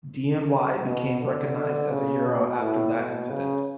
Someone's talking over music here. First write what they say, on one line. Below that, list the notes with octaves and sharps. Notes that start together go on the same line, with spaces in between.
Dian Wei became recognised as a hero after that incident.
B2
D3
D3
C#3
B2
A2
B2
C#3